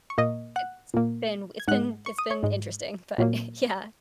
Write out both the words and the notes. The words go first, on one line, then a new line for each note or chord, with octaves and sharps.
It's been it's been it's been interesting but yeah.
C#6
A#2 A#3 D#5 D#6
F#5 F#6
A#2 A#3
G#6
G#2 G#3 F#5 F#6
C#6
D#6
C#5 C#6
G#2 G#3
A#2 F#3 A#3